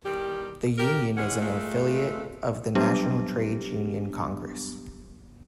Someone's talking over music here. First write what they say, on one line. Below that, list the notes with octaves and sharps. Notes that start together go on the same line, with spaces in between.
The union is an affiliate of the National Trades Union Congress.
E2 D#3 G3 G4
G4 A#4
E3 G#3 C#4 F#5
A#2 G#3 A3
F#3 G3 B3 D4 G4